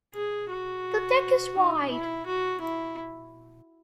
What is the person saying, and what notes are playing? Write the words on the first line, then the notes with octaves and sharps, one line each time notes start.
The deck is wide.
G#4
F#4
D#4
E4
F#4
E4